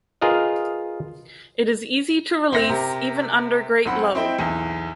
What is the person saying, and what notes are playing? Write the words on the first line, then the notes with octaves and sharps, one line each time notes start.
It is easy to release, even under great load.
F4 G#4 A#4 B4 D#5
F#1 C4 E5 A#6
C3 G4 A#4
B1 F#3 C4 F#5 B5
C4 E4 D#5 G5
B1 E2